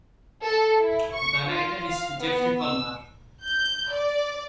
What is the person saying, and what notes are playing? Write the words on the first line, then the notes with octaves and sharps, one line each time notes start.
The narrator is Geoffrey Palmer.
A4
E4
C#6
F4
F5
B3
E6
G6
D5